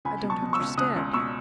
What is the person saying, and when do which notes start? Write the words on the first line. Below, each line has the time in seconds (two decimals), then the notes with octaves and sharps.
"I don't understand."
0.05 C#2 G#5 B5
0.23 B2
0.30 A5 C#6
0.42 B2
0.53 C#6 E6
0.59 C#2
0.78 C#2 D#6 F#6
0.96 C#2
1.13 B2 C#6 E6